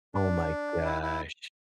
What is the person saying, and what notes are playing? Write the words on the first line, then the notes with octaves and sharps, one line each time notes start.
Oh, my gosh.
D4
E4
E4